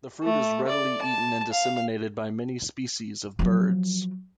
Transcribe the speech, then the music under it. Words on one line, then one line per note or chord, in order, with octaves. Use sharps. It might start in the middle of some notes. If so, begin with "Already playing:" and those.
The fruit is readily eaten and disseminated by many species of birds.
A3
D5
A5
F5
F3 F#3